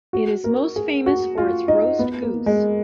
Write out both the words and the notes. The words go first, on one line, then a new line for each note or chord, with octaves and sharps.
It is most famous for its roast goose.
F#4
A#4
G#4
F#4
F4
D#4
B3
A#3
G#3